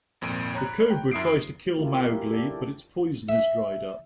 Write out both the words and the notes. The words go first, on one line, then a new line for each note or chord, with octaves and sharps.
The cobra tries to kill Mowgli but its poison has dried up.
G#1 F2 A#2 D7 D#7
C#5 A#5 B5 F#6
G5
F#2 E4 D#6 C7 D7
A3 E4 F4 G4 A#4
G#4
F#3 C4 E4 G4 A#4 E5
G4 A4 A#4 D5
E5